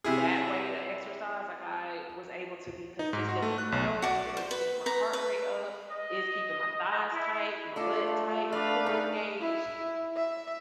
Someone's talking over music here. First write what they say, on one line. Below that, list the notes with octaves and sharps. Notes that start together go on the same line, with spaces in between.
that way to exercise, like I was able to be consistent with my health, uh, i it's keeping my heart rate up, it's keeping my thighs tight, my butt tight, my core engaged,
C3 E4 G#4
D#4
G#2
F#4
A3
F#6
B1
F#4 D5
C5
B4
B4 A#5
B4
D#5
E4
A3 D4 F4 A4 D#5
D4 B4 D5 F5
D#4 G#4
E4
E5